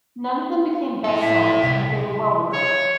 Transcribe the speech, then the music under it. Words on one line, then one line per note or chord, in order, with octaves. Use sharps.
None of them became best sellers but they were well regarded.
E4 A4
E5
C2
C#5